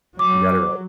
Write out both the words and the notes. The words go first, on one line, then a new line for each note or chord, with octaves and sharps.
you got it right,
F#3 D6